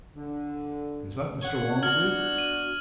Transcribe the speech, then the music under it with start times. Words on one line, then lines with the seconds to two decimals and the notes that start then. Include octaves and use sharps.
"Is that Mr. Walmsley?"
0.15 D3
1.42 C#5 F#5
1.83 B3 D4 F#4 F6 G#6 F#7
2.38 D#7